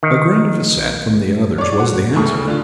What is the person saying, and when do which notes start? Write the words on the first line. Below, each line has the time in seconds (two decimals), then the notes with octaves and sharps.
A grunt of assent from the others was the answer.
0.03 D#3
1.58 C#5 D5
1.79 F#4
2.16 D2 A2 C#3 C#6
2.47 D3 F4